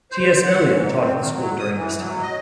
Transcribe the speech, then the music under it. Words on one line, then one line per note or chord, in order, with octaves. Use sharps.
T. S. Eliot taught at the school during this time.
C5
F#5
G#2
C4
D#3
F#3
D#6
E3
F#3
D#5